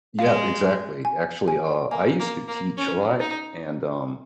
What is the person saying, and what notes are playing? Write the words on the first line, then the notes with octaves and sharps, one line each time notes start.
Yup, exactly. Actually, uh, I used to teach a lot, and, um,
G#3 F5
G#5
G#5
A#3 G#5
A#3
A#3
C#4
D#4